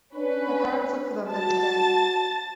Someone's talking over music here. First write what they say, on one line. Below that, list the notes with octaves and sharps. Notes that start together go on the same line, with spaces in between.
Their parents look for them but in vain.
C#4 D4 B4
F#4 A5 A6